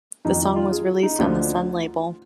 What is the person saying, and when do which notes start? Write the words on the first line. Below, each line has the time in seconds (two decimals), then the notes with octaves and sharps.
The song was released on the Sun label.
0.25 F2 D#3 D#4
0.40 D#4
0.56 F4
0.71 G#4
1.03 D#4
1.19 D2 D3 F3 F4